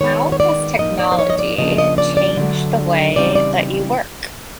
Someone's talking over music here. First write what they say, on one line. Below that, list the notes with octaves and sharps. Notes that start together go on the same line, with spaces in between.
How has technology changed the way that you work?
D#3 G#3 B3 C#5
C#5
D5
A2 F3 A#3 D#4 D#5
D5
C5
C#5
D#5
D5
C#3 F3 A#3 D4 D#5
D#5
D5
D5
D3 F#3 A3 D4
C#3 E3 G3 C4 D#4 D5
D5